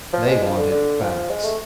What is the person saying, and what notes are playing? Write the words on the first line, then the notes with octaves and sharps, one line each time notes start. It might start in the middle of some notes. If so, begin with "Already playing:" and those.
They wanted facts.
F3
G#3
F3
D3
D3
F3
G#3
A3